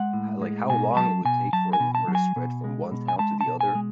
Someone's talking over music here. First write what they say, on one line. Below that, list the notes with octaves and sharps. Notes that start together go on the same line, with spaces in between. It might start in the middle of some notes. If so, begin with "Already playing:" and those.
H like, how long it would take for a rumor to spread from one town to the other?
Already playing: G#3 F#5
A2
G#3
B2 G#5
F#3 A5
B2 G#5
F#3 A5
G#5
B2
A5
F#3
G#5
B2
G#3
B2
G#5
G#3 A5
A5
B2
G#5
G#3